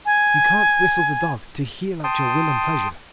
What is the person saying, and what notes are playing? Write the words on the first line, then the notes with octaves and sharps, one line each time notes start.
You can't whistle the dog to heel at your will and pleasure.
G#5
G5 A5 C6 D#6